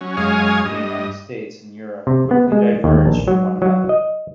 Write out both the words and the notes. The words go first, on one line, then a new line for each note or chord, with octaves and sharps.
The United States and Europe quickly diverged from one another.
F#3 C#4
F#2 G#3 C#5 F5 G#5 D#6
G2 D#5
C3
B3
G#3
D#2
A#1
F#3
F#3
D#5